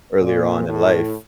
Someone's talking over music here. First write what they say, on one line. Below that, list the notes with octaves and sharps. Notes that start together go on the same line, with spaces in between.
earlier on in life.
A#2
A2